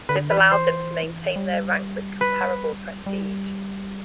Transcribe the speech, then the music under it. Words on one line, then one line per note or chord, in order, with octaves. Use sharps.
This allowed them to maintain their rank with comparable prestige.
D3 B4
E3 B4
C5
G3
B4
G3